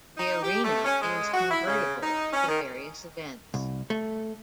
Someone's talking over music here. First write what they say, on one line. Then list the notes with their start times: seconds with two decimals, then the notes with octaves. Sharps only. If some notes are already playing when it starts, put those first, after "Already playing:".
The arena is convertible for various events.
0.17 D#4
0.42 G4
0.64 A3
0.84 C#4
1.02 G#3
1.33 F#4
1.51 E4
1.67 C#3
2.03 D#4
2.33 C#4
2.47 D#3
3.54 C2
3.90 A3